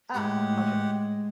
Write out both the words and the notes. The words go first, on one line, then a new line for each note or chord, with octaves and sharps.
Ah! So true.
A2 G#3 G4 F#5